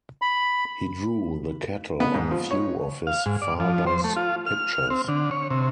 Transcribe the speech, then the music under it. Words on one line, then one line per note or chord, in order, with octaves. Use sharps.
He drew the cattle on a few of his father's pictures.
B5
B3
G#2
F3
C#5
F5
G#2
D5
F3
C5
A3
F4
F6
C4
D3
C#5
C3